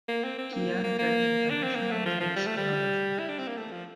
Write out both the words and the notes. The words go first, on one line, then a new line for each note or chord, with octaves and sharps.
Qian trained in traditional Chinese philology.
A#3
C4
C4
A#3
A#3
A#3
D4
C4
A#3
A3
F3
F3
G3
A3
G3
E4
D4
C4
A#3
A3
F3